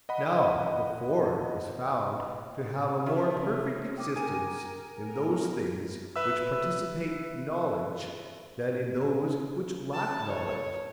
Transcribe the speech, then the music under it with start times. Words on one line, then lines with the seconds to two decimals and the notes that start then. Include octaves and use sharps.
Now, the form is found to have a more perfect existence in those things which participate knowledge than in those which lack knowledge.
0.09 D#5 F#5 B5
3.06 C#3 F#4 C#5 E5
3.41 C3
3.98 G5 D6 D#6
4.16 A#4 G#5 D#7
5.04 B3 A#4
6.16 B4 E5 E6
9.93 A5
10.27 C#5